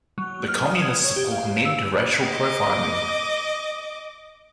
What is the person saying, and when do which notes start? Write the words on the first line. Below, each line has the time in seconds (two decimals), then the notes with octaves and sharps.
The Communists support an end to racial profiling.
0.18 F#3
0.48 F6
0.67 D#6
0.82 G#6
1.04 C#5
1.16 G4
1.31 F5
1.65 E6
2.25 D#5 D6